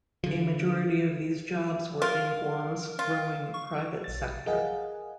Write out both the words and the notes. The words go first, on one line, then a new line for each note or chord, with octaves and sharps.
A majority of these jobs were in Guam's growing private sector.
D3 F3
F4 A#4
F4
C#6
A#1 A6
G#4 A#4 D#5 F5 F#5 G#5